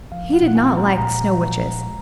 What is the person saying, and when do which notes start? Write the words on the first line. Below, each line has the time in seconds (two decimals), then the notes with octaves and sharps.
He did not like the Snow Witches.
0.12 F3 F5
0.33 F#5
0.41 A#2
0.48 F#5
0.55 G#5
0.70 G#3
0.77 A#5
0.98 A#2 A#5
1.27 F3
1.56 A#2
1.85 G#3